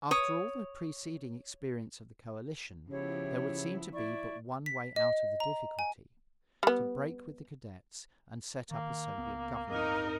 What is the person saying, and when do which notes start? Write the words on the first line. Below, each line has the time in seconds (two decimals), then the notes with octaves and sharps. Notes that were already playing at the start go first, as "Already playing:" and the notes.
After all the preceding experience of the coalition, there would seem to be but one way out of the difficulty--to break with the Cadets and set up a Soviet government.
0.11 C#5 D#6
2.89 C#3 F3 B3 E4 G4 C#5
3.92 E4 D5 C#6
4.66 B6
4.96 D#5
5.40 A#5
5.79 G#5
6.63 G3 B3
8.71 D#3 A#3
9.18 C#2 B3
9.70 D1 G1 C4 D#4 A#4 D#5